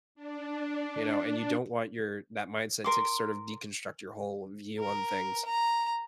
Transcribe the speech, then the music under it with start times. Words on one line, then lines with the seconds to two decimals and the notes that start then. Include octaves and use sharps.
you know, and you don't want your that mindset to c sort of deconstruct your whole view on things.
0.15 D4
2.84 A#4 C6 D6
4.80 A#4
5.45 A#5